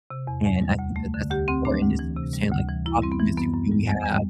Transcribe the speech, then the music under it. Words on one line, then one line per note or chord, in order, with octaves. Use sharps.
and I think that that's important just to understand, like, the optimistic view we have
C3
E2
E2
G3
D2
A3
D3
D2 G4
D2 C4
A3 D4
D2
E3
C3
G3
D2
E3
F#2 E4
G3 C4
B3
E3
F#2 B3
F#2
G3
E2
G3